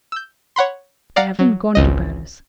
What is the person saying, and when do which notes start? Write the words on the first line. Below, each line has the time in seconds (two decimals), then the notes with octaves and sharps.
They haven't gone to Paris.
0.12 E6 G6
0.56 C#5 F#5 B5 C6
1.16 D5 F5 F#5 A#5
1.39 F#3
1.75 G#1 C#2 D#5